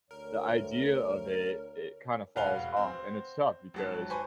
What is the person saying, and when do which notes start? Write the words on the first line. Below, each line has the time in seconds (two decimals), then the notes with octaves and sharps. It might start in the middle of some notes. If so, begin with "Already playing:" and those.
the idea of it it kinda falls off, and it's tough because
0.11 D2 A#4 C#5
2.36 E1 F#4 B4 F5 F7 G7
2.77 C4
3.74 G#1 F#3 A5
4.10 B4 C5 G#5 C#6